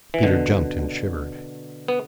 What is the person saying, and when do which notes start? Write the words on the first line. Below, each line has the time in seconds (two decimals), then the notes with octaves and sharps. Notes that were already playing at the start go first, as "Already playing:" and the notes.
Peter jumped and shivered.
0.14 E3
0.23 B2 D3
1.88 B3